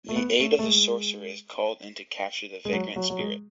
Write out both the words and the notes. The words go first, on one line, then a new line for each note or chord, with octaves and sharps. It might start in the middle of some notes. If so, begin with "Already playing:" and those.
The aid of the sorcerer is called in to capture the vagrant spirit.
A3
B3
A3
A3
G#3
G#3
F#3
F#3
F#3
G#3